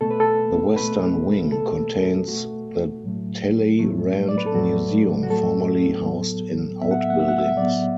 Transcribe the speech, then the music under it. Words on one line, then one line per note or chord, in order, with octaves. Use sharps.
The western wing contains the Talleyrand Museum, formerly housed in outbuildings.
B2 A3 A4
B4
A4
B2 A3 B4
B2 A3 A4
B2 A3 F#4
A2 F#3 A3
A2 F#3 A3
D5
B4
A4
A2 F#3 A3 F#4
F#4
A2 F#3 A3 A4
A2 F#3 B3
A2 F#3 B3 E5
F#5
E5
F#5
E5
F#5
E5
A2 F#3 B3 D5